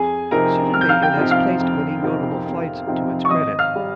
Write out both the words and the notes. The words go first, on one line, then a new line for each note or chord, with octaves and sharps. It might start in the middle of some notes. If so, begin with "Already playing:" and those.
Certainly it has placed many notable flights to its credit.
Already playing: F2 G#4 G#5
C3 F3 C4 D#4 A#4 A#5
F2 F6
G6
F5 F6
G5 G6
C3 F3 C4 D#4
F5 F6
F2
C3 F3 C4 D#4
F2
C3 F3 C4 D#4
C#6
G#1 D#5 D#6
F5 F6
G3